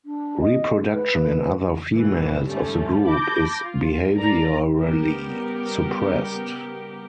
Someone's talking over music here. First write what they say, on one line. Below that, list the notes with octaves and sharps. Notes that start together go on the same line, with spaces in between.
Reproduction in other females of the group is behaviorally suppressed.
D4
D#5
B4
G2 B2 E3
G#2 D#3 G3 A3 C#4
A5 B5 D6 G6 A#6
F4
A4 A#4 D5 A#5
C#3 G3 B3 G4 A#4